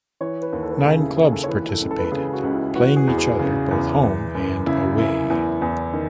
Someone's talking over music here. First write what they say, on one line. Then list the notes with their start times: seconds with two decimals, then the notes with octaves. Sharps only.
Nine clubs participated playing each other both home and away.
0.21 E3 C#5
0.42 B4
0.53 D#2
0.63 A4
0.70 B4
0.77 A4
0.84 C#3 G#4
1.01 E4
1.16 D#2 G#4
1.32 A4
1.44 C#5
1.48 E3 B4
1.69 A4
1.80 C#2
1.91 A4
1.98 B4
2.05 A4
2.12 C#3 G#4
2.33 F#4
2.43 C#2
2.54 E4
2.75 E3 F#4
2.96 G#4
3.08 E2
3.18 G#4
3.39 C#3
3.71 E2
4.03 E3
4.35 F#2
4.67 C#3 E4
4.98 F#2 E4
5.30 E2
5.62 E2
5.94 D#3